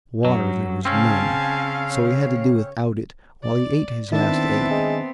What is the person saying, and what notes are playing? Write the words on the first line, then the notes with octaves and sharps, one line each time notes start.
Water there was none, so he had to do without it while he ate his last egg.
F#2 F#3
C#3 C4 C#4 F5 G#5 A5
C#5
D5
D#3 B3 C4 D4 E4 E5 A5
G#3